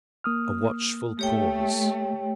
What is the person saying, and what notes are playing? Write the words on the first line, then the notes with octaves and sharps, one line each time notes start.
A watchful pause.
A#3 D#6 F6
A3 G4 C#5 G5